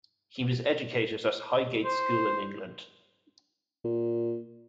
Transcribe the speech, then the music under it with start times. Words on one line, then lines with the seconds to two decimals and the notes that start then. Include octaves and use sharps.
He was educated at Highgate School in England.
1.85 C5
3.84 A#2